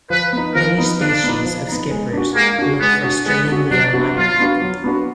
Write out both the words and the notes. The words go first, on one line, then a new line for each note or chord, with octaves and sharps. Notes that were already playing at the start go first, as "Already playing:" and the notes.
Many species of skippers look frustratingly alike.
F3 B4
B3 D#4
F3 A#4
B3 D#4
F3 D4
B3 D#4
F3
B3 D#4
G#3
D4 F#4
G#3 A#3
D4 F#4
G#3 B3
D4 F#4
G#3 B3
D4 F#4
F#3 D4
B3 D4 F#4
F#3 F4
B3 D4 F#4
F#3
B3 D4 F#4